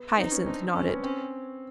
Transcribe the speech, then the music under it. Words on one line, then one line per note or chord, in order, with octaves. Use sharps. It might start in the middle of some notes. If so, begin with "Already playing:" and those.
Hyacinth nodded.
Already playing: B3
C4 D#4
B3 C#4
C4 D4 D#4
C4 C#4
B3 C#4
C4 C#4